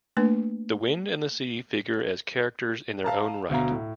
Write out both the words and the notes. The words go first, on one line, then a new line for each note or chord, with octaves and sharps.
The wind and the sea figure as characters in their own right.
A3 A#3 D4 B4
F5 A5 A#5
D2 B2 F5 A#5
A2